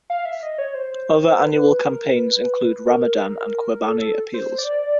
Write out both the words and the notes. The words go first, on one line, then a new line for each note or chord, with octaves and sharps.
Other annual campaigns include Ramadan and Qurbani appeals.
F5
E5
D#5
C#5
C5
B4
A#4
B4
A#4
A4
A4
C5
D5